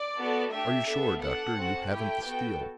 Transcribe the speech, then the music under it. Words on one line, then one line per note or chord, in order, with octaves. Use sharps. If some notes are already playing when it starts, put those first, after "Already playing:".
"Are you sure, Doctor, you haven't the steel?"
Already playing: D5
B3 F#4 A4
A3 D4 G4 E5
B3 D4 A4
D4 A4 F#5
C4 F#4 A4
A3 E4 G4 G5
B3 F#4 A4